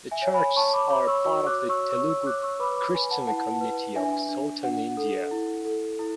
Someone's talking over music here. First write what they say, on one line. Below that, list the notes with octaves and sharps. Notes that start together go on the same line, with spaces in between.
The churches are part of the Telugu Christian community of Southern India.
E5 G#5
C#5
G#5 B5
C#5 A5 C#6
B5 D6
C#5 B5 D6
C#6 E6
F#4 C#6 E6
D6 F#6
C#5
C#6 E6
C#5 C#6 E6
C#6 E6
C#5 D6 F#6
C#6 E6
B4 B5 D6
B5 D6
B4 G#5 B5
F#5 A5
E4 F#5 A5
B4
D4 E5 G#5
D4
D4 F#5
A4
E4
A4
E4